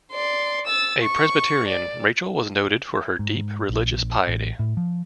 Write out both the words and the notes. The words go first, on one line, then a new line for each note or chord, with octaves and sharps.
A Presbyterian, Rachel was noted for her deep religious piety.
D5 C6
E6 A6
C#6
D5
G#2
A#1
A1
A2
F3